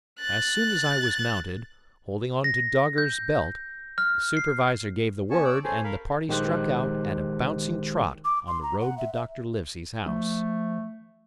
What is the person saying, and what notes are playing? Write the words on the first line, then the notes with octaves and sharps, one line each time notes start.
As soon as I was mounted, holding on to Dogger's belt, the supervisor gave the word, and the party struck out at a bouncing trot on the road to Dr. Livesey's house.
F#6 A6
A#6
G6
F6
C7
B3 C#4 G#5 A5 C#6
C#5 D5 D6 E6
C#4 G#4 A4 C5 G#5
A#4 F5 B5
A#1 D#3 G#3 G4 C5 F#6
D6
C6
A#5
F#5
E5
E5
F3 A3